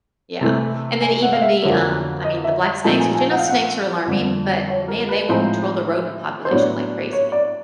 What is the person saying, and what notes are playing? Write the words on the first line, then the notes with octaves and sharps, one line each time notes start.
Yeah. And, then, even the um, I mean, the black snakes which I know snakes are alarming, but, man, they will control the rodent population like crazy.
C3 E3 A3
G#5
F#5
F5
E5
F2 D3 F#3 A#3
D#5
E5
A#2 F3 A3 C4 D#4 A5
G#5
G#5
F#5
F5
F#5
F2 D3 G3
C#5
A#4
B4
A2 F3 G#3 C4 D#4 C5
C5
A2 F#3 B3 D4 C#5
C#5
D5